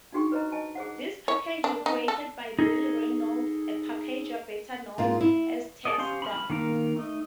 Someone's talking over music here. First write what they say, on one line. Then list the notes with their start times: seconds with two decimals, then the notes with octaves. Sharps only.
These packages were created by Bill Reynolds, a packager better known as "Texstar".
0.13 D4 D#4 F#4 G#4 G5 C#6
0.32 B4 C5 D#5 A#5
0.52 D#5 G#5 A5
0.75 G#4 C5 F#5
1.28 C#5
1.64 D4
1.86 D#4
2.08 A4
2.59 D#4 G#4 A4
4.98 G#2 A#3 F4
5.21 E4
5.85 G#4 A4 D5 D#5
5.98 C#4 G4 C5 F5 C6
6.22 B5 C6 F6
6.50 D#3 A#3 A#4 F5
6.96 A3 D#4